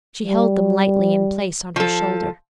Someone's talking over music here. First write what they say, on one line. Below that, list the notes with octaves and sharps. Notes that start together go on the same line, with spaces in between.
She held them lightly in place on her shoulder.
G3
F3 A4